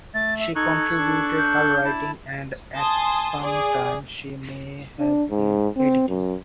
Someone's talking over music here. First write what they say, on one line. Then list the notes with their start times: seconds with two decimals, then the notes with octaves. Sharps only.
She contributed her writing and at some time she may have been editing.
0.14 A3 A6
0.39 E5
0.56 D#4 A4 C#6 F#6 G#6
0.98 D4
1.38 G6
1.85 E4 A5
2.77 G#5 A5 C6 D#6
3.42 G#4 D5
4.99 D4
5.30 G#2
5.76 C4
6.08 F#2